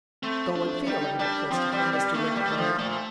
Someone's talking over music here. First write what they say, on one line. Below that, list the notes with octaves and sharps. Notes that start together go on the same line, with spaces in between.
"Go and feel of it, Christopher," Mr. Wicker urged.
A3 C4
D4
G3 D#4
G3 D4
F3 C4
G3
G3
A3 A#3
G3
A3
F3
A#2 A3